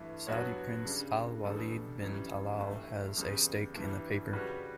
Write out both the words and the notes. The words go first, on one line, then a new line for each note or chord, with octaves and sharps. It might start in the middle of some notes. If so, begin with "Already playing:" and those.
Saudi Prince Al-Waleed bin Talal has a stake in the paper.
Already playing: G2 E3 A3
G2 F#3 B3 F#4 C#5
C#3 G3 D4
E2 B2 G3 D4 A4
F#2 E3 G3 C#4
G2 E3 A3
E2 C#3 G3
G2 E3 G3 D4
C#3 G3 C#4 F#4 B4